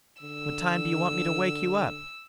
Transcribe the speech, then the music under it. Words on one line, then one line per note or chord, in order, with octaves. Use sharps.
"What time d'you want me to wake you up?"
D3 E6